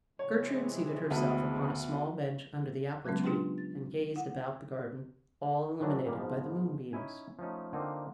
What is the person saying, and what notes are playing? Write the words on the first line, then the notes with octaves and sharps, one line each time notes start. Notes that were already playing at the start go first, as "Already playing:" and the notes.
Gertrude seated herself upon a small bench under the apple tree, and gazed about the garden, all illuminated by the moonbeams.
C3 E3 G#3 C#5
D2 B3
C#3 F#3 G#3 B3 C#4
D4 F4 G4 B4 G5 C6
A6
E4 F#5
D#3 E3 F#3 D4
A#2 C#3 G3 A#3 C#4
G#2 B2 F3
C#4 D#4 E4 G#5
F3 A3 C#4 D#4
D3 A#3 C4 D#4 F4